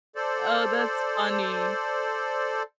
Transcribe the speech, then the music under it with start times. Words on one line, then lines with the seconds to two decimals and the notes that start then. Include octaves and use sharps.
Oh, that's funny.
0.16 A4 C5 D5